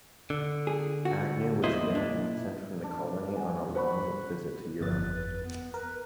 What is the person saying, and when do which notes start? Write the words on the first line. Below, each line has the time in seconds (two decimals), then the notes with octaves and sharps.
Agnew was then absent from the colony on a long visit to Europe.
0.30 D3
0.67 G#4
1.05 F#4
1.64 E2 A#2 E4 C5 D#5
1.95 D4
2.84 D4
3.37 F#5 G#5
3.75 C5 F#5 B5 C#6
4.81 G1 F2 B4 A6
5.43 B3
5.74 A#4 B4